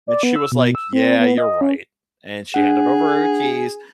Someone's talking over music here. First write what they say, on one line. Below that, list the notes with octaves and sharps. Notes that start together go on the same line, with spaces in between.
and she was like, "Yeah, you're right," and she handed over her keys,
D5
B3
E6
B2
E6
C4
B3
D#5
C#4
D4 G#4 F#5